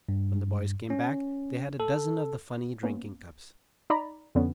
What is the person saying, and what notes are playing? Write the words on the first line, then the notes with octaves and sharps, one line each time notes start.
When the boys came back they had a dozen of the funny drinking cups.
G2
C#4
A4
A#3 B3 C#4
D#4 D5 A#5 B5
F2 D3 B3 C#4